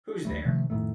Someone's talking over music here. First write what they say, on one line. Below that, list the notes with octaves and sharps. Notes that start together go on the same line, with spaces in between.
Who’s there?
D#2 G3 A3
C3 D#3 F3 A3
F2 A2 D#3 A3